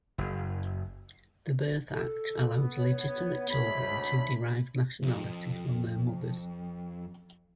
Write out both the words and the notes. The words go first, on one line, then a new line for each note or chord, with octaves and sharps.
The Birth Act allowed legitimate children to derive nationality from their mothers.
F#1
A4
B3
C#5
D2 G#2 B5
C2 F2